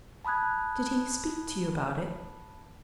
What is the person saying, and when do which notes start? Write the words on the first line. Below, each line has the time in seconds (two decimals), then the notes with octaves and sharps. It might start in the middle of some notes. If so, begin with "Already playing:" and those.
Did he speak to you about it?'
0.25 A5 B5 D#6 F#6 G#6